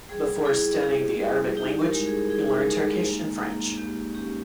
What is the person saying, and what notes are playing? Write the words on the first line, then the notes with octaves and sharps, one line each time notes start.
Before studying the Arabic language, he learned Turkish and French.
G3 G#4
E4 G#4
E4 G4
G3
D#4 G4
A#4
G#3
G#4
D#4 G#4
G#3
A#3
A#3
A#3 G4
C#4 G4